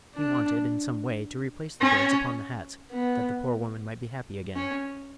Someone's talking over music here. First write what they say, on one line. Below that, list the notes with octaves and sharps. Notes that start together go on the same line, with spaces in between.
He wanted, in some way, to replace the birds upon the hats, that the poor woman might be happy again.
D4
C#4
B3
C#4